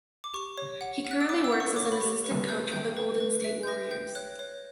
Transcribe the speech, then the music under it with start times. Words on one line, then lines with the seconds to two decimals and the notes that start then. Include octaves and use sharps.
He currently works as an assistant coach for the Golden State Warriors.
0.24 D6
0.34 G4 C#6
0.58 C#5
0.81 F#5
1.05 F#5
1.11 F#6
1.21 E6
1.29 C#5 D6
1.44 E6
1.52 F#5
1.60 C#6
1.76 C#5 D6
1.85 C#6
1.92 B5
2.01 G4 C#6
2.24 B4
2.48 E5 G6
2.72 G5 G6
2.97 B4
3.20 B4
3.44 E5
3.63 G6
3.67 B4 A#6
3.91 G5 G6
4.15 C#5 F#6
4.39 C#5